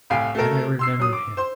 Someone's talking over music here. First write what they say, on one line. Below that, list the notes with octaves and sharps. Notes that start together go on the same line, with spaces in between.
Then I remembered him.
C2 A2 F5 G5 G#5 C7
A3 F#4 A4 A#4
C6 E6 C7
F#3 D#6
D6
C5 C6